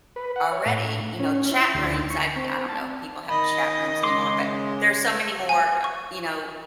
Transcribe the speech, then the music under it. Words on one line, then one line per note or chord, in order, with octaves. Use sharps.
already, you know, chat rooms, I I don't know if people have chat rooms anymore, but there are so many more, uh you know,
B4
F#5
C#5
A2
C#4
E4
D2
C#6
C4
A5
D#3 D#5 B5
C#3 G#3 C6 D6
G#5
C#6